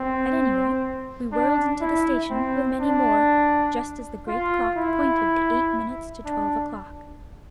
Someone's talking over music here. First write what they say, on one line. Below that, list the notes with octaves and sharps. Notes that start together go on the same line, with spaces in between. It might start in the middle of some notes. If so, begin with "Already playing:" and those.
At any rate, we whirled into the station with many more, just as the great clock pointed to eight minutes to twelve o'clock.
Already playing: C4
D4
E4
C4
D4
F4
E4
D4